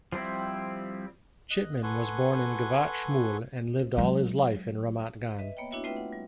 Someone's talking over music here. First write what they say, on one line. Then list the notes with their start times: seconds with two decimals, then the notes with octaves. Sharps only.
Chitman was born in Giv'at Shmuel and lived all his life in Ramat Gan.
0.12 F3 G3 C4 E4
1.51 D#5 F#6
1.83 A4 B4 F#5 G#5 C6 C#6
3.97 F#3 G#3
5.39 B4 D#5 E5
5.57 A#3 B3 C#5 D#5 G5
5.71 D4 E4 F#4 C#5 E5
5.84 A3 C4 F4 B4 E5 G5
5.97 F#5
6.12 G3